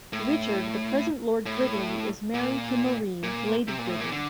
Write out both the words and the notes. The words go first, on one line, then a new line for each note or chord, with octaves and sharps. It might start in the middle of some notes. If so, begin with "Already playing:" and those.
Richard, the present Lord Gridley, is married to Marie, Lady Gridley.
A2
A2
A#2
A#2
C3
A#2
A2
A#2
D3